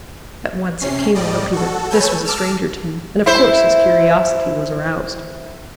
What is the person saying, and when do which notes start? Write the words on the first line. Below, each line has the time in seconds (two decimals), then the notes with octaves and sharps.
At once it came over Peter that this was a stranger to him, and of course his curiosity was aroused.
0.80 C3 C#4 C7
1.15 A2 G3 D5 D#5
1.53 F#4 A4
1.90 B4 C#5 G#5 A5 E6 G6
2.25 A5 D6 E6 F6
3.26 E4 C5